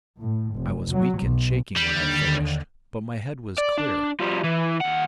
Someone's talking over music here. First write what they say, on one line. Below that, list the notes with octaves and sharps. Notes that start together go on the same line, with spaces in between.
I was weak and shaking when I finished, but my head was clear.
A2
F1
F#3
B1
D#2 D3 G3
D5
D4
F3 G3
E3
D#2 F#5